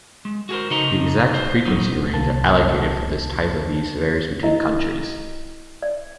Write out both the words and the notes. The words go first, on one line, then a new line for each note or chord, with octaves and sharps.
The exact frequency range allocated for this type of use varies between countries.
G#3
F#4 G#4 A#4 C5
C#3 D#4 A4 D#5 A#5
C5
A#2 F#3 B3 D#4
C2 A#3 A5
E4 A#4 D#5
D5